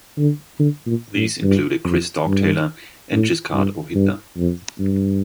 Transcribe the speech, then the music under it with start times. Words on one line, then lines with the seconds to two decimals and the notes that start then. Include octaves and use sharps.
These included Chris Dogtailer and Giscard O'Hitler.
0.17 D3
0.59 D3
0.86 A#2
1.15 A2
1.43 G2
1.85 F2
2.27 G2
3.12 A2
3.53 G2
3.95 G2
4.37 F2
4.79 G2